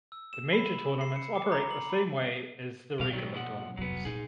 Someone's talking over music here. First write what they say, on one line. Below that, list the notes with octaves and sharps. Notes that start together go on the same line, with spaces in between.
The Major tournaments operate the same way as the Regular tournaments.
E6
E7
B5
C7
C#7
D6
A#5
F#7
B5
G2 B2 F5
D#3 F#3 G3
A#2 F3 F#5
F1 F#3 G3 B3
A#2 D#4 G#4